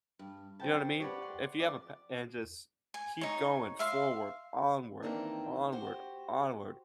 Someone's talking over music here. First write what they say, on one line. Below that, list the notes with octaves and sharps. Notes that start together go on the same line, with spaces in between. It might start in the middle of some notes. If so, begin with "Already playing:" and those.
you know what I mean? If you have a pa and just keep going forward, onward, onward, onward.
G2
C#3 F#3 C5 G5 A5
G4 A4 B4 C#5 D5 F#5
F#5 C6
F2 D5
G#5
D#4 C#5
E5 F5 C6
D#3 E3 A#3 C4 D4 D#4
F#4 G4 C5